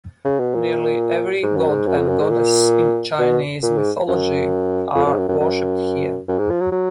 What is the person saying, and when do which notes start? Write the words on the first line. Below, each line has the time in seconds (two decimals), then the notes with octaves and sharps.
Nearly every god and goddess in Chinese Mythology are worshipped here.
0.25 C#3
0.39 B2
0.54 A#2
1.43 G#2
1.56 F#2
1.68 G#2
1.87 F#2
1.98 F2
2.08 F#2
2.20 G#2
2.30 A#2
3.19 B2
3.63 A#2
3.78 G#2
4.08 F#2
4.95 F2
5.06 F#2
5.13 G#2
5.18 F#2
5.28 F#2
5.40 F#2
6.28 F#2
6.38 G#2
6.50 F3
6.60 F#3
6.72 F#3